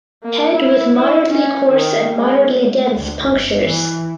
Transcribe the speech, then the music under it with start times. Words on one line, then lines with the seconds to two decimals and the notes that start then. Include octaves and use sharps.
Head with moderately coarse and moderately dense punctures.
0.23 A#3
0.54 E4
0.96 E4
1.30 C#4
1.70 D#3
2.15 G#3
2.97 D2
3.26 G1
3.65 E3